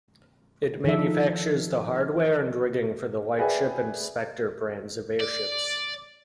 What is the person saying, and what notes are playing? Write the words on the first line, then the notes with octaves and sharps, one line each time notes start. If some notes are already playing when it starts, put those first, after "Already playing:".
It manufactures the hardware and rigging for the Lightship and Spector brands of airships.
D#3 F3 D#4 A4 E5
G#4 B4 D5 E5 G5 G#5
D5